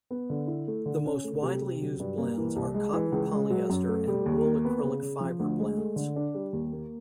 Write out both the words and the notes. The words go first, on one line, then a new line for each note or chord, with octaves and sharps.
The most widely used blends are cotton-polyester and wool-acrylic fibre blends.
B3
D3
E4
A3
D3
C#4
A3
C3
C3
F#3
G2
A#3
E3
C2
G#3
E3
C#2
G#3
F#3
F#2
A3
G3
D#2
A#3
B3
C#3
C#3
F3
D2
G#3
A3
D3
D4
G3
D#2
A#3